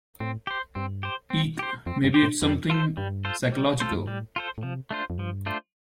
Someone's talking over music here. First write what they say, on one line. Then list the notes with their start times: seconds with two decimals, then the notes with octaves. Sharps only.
Eek! Maybe it’s something psychological?
0.20 A2 C4
0.47 G4 C5
0.75 G2 C4
1.03 G4 C5
1.30 C4
1.59 G4 C5
1.86 F2 C4
2.04 G2
2.14 G4 C5
2.23 A2
2.42 F2 G3
2.70 F4 A4 C5
2.97 G2 G3
3.25 F4 A4 C5
3.52 G3
3.80 F4 A4 C5
3.92 F2
3.99 G2
4.07 A2 G3
4.36 F4 A4 C5
4.58 A2
4.63 C3 F3
4.91 A3 D4 F4 C5
5.10 F2
5.18 G2 F3
5.46 A3 D4 F4 C5